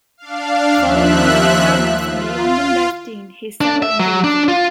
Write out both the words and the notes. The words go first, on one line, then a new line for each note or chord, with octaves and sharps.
Following his retirement from the London Beth Din, he settled in Jerusalem.
D4 F5
D#2 F3 E5 F#6
F4
D4
E5
F#3
D4
F4